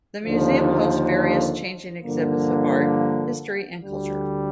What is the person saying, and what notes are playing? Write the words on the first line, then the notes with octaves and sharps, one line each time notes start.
The Museum hosts various changing exhibits of art, history and culture.
D#2 D3 F3
G2 D3 F3 A#3
D2 D3 G3